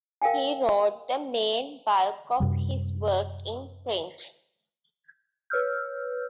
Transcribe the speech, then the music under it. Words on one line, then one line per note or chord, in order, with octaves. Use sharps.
He wrote the main bulk of his work in French.
A#4 F5 G5 G#5
F#2 C3 G3
B4 C#5 E6 F6 G6